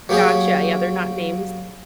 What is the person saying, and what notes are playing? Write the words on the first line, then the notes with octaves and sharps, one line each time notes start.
Gotcha. Yeah, they're not names,
F#3 A#3 G4 G#4 C#5